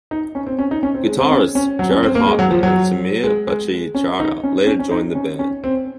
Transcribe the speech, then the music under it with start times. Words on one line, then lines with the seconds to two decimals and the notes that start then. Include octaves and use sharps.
Guitarists Jared Hartmann and Sameer Bhattacharya later joined the band.
0.11 D#4
0.35 C#4
0.47 C4
0.59 C#4
0.71 D#4
0.83 C#4
0.94 C4
1.07 G#3
1.19 C4
1.31 C#4
1.55 C#4
1.79 F#3
1.91 C#4
2.03 C4
2.15 A#3
2.27 G#3
2.39 F#3
2.51 F3
2.63 F#3
3.23 G#3
3.47 G#3
3.95 C#4
4.19 D#4
4.44 C#4
4.67 C#4
4.79 C#4
4.91 D#4
5.15 C#4
5.39 C#4
5.64 C4